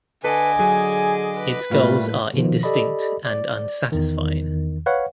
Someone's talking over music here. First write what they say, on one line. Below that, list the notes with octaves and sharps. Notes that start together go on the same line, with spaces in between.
Its goals are indistinct and unsatisfying.
D3 A4 B4 D#5 G#5 D6
F#3 G#4
B4
A2 G3 A3 A#3 F4
B2 D#3 F3
G4 A4 D5 D#5 B5
D5
E2 D#3
B4 C#5 F5 F#5